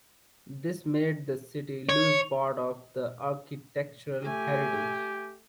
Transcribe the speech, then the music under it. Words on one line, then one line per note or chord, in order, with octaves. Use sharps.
This made the city lose part of the architectural heritage.
C#5
A3 G4 G#5